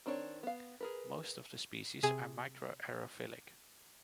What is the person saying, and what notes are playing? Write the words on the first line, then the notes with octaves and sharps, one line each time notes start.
Most of the species are microaerophilic.
D#3 C4 D4 F#4 C#5
B3 F5
G#4 A#4 B4
C3 G#4 G#5